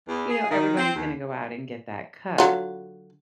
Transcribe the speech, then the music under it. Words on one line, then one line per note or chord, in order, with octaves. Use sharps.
everybody's gonna go out and get that cut.
E2
G#4
D#3
C4
D#2
D3 F#3 F4